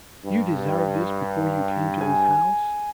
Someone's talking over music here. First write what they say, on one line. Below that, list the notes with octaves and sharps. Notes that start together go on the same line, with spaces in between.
You desired this before you came to this house?
G2
G#5